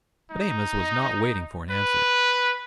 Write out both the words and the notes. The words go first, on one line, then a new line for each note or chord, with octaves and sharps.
But Amos was not waiting for an answer.
D#4
B4